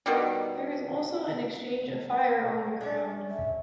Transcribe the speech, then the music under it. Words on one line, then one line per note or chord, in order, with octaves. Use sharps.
There is also an exchange of fire on the ground.
B2 D#3 G3
C#4 D4
E5